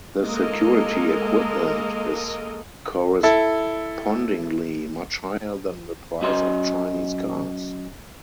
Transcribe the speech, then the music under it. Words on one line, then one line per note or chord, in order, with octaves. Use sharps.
The security equipment is correspondingly much higher than the price of Chinese cars.
G#3 A#3 A4 A#4 D#5
E4 A4
F#3 C#4 F#4 D#5 C6